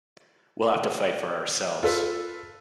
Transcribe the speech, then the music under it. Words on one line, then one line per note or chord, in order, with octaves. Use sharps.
We'll have to fight for ourselves.
F4 A4 B4